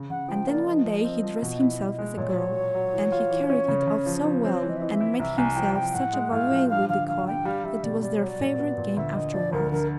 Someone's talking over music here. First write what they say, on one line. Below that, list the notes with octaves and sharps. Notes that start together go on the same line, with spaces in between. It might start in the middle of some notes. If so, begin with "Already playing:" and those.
And then one day he dressed himself as a girl, and he carried it off so well, and made himself such a valuable decoy, that it was their favourite game afterwards.
Already playing: C#3
C#3 F#5
F3 G5
A#3 D5
F3 D#5
F3
C4
F3
B2
E4
E4
G#3
A#2 C#5
F#3
F#3
F#3
E3
F4
E3
C#4
C#3
C#3
F3
F3
C4 C#5
E3
D#5
E5
E3 D#5
E5
E4
C2 E5
C2 G#5
F3 G5
C2 G5
A2 F#5
G#3
A2 F5
F3
G2 F5
D3 F5
G2 F5
G2 G5
G3 F5
G3 E5
B2 D5
G3 D5
C#5
F#3
D5
A#2
B3
A#2
D2 E5
D2 D#5
F3 D5
D2 A#4
D3 A#4